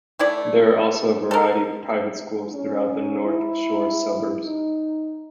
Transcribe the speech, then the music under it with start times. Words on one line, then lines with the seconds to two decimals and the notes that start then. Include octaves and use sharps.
There are also a variety of private schools throughout the North Shore suburbs.
0.19 A3 E4 D5
1.31 A4 A#4
2.54 C#4
3.25 E4
4.44 D#4